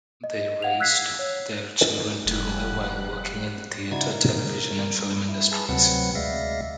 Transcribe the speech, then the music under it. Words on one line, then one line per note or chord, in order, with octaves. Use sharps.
They raised their children together while working in the theatre, television and film industries.
D#5
F5 F#5 G#6 F7
E6 F#6 G#6 B6 C7
C#5
F1 G3 F#6
C#3 D#4 E4 F#4 D5 G#6
A#4
E4
G#4 B4 A5
D2 C3 F#3 C4 B4 F#5
D2 G#3 D5 E5 F5 A#6